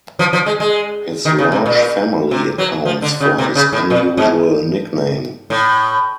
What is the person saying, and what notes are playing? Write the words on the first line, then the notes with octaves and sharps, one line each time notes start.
His large family accounts for his unusual nickname.
F3
F3
G#3
G#3
D#3
C#3
C3
A#2
C3
F#3
F3
D3
C#3
C3
C#3
A2
A#2
G#2
A2